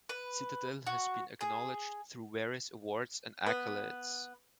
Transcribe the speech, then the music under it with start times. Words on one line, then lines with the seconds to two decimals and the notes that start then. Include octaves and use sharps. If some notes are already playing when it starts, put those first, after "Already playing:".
Citadel has been acknowledged through various awards and accolades.
0.09 B4
0.87 F#4
1.41 G#4
3.46 B3